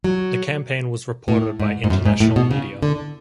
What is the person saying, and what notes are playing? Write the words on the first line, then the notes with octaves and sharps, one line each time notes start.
The campaign was reported by international media.
F#3
A2
G#2
G#2
F#2
G#2
A2
B2
C#3
D3